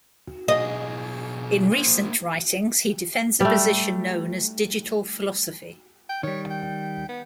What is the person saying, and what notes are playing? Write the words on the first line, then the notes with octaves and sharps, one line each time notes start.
In recent writings, he defends a position known as digital philosophy.
B1 G#4 D#5
A#3 C5
G3 A3
G5
D#3 G3 C#5
G5
B3